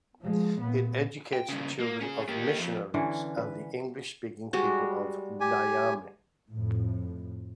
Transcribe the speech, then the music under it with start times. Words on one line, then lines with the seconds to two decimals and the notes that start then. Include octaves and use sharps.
It educates the children of missionaries and the English speaking people of Niamey.
0.21 F3 G#3
0.60 A#2 B3
1.33 G5
1.49 G2 C#3
1.80 A#3
2.01 C#4 G#4
2.29 A#3 G4
2.58 F2
2.94 D3 E3 C#4
3.37 B4
4.53 G3 G#3 F#4
5.41 G4 G#5
6.49 F2 A2